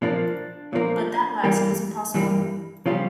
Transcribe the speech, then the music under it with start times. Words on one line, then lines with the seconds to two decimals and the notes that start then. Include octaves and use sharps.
But that last was impossible.
0.02 A#2 F3 A#3 D4
0.73 A#2 F3 A#3
1.44 G2 E3 G3 A#3
2.14 G2 E3 G3 A#3
2.86 C#3 F3 G3 F4